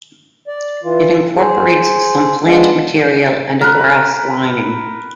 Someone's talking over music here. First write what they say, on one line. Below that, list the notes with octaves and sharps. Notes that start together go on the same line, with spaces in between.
It incorporates some plant material and a grass lining.
D5
E3 F4
G#4 C5
F3 G#3 B3 D4 F4
A#4 B4